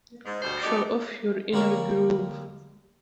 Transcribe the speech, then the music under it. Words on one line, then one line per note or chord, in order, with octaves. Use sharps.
Show off your inner groove.
G#2
D2 B2 G3 B3 C5
F#2 A3 D#4 F#4 G4 D5
D3 G3 A#3 A#4 C#5